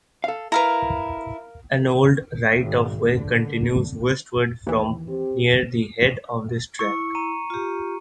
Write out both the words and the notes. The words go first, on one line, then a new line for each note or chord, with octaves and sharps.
An old right of way continues westwards from near the head of this track.
A4 F5
E4 A#4 B4 F5 A#5
G#1
D3
D#2 E3
C4 G4
E4 C#6 C#7
A#5 D#7
F4 G4